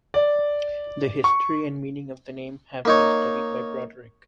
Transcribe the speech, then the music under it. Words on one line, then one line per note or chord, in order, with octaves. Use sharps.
The history and meaning of the name have been studied by Broderick.
D5
C#6
A#3 D#4 C#5